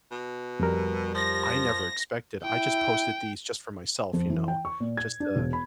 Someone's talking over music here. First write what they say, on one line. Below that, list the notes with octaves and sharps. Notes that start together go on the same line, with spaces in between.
I never expected. I just posted these just for myself, you know, just to
B2
F2 G3 A#4
F3 A#6
E4 G5
F2
E3
G5
C#6
A#2
G#6
D4
E1
B5